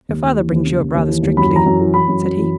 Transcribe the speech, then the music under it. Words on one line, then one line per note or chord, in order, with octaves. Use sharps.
"Your father brings you up rather strictly?" said he.
D#2
D#2
E3
D#2
C#3
D#2
D#2
E3
D#2
F#2 B5
E3 A#5
F#2
E3
E3 B5
F#2
F#2
E3